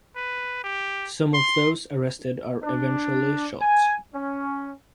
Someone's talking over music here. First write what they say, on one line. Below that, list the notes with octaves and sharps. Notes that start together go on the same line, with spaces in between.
Some of those arrested are eventually shot.
B4
G4
C6
D4
G#5
C#4